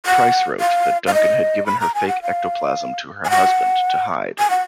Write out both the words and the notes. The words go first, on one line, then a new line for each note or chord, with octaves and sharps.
Price wrote that Duncan had given her fake ectoplasm to her husband to hide.
F#5
F5
F5
D#5
B5
A#5
G#5
F#5
F5
G#5
F#5
G#5
F#5